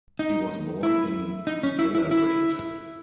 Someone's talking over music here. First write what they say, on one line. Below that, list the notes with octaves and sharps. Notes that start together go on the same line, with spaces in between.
He was born in Gallarate.
D#4
E4
D#4
C#4
E4
E4
E4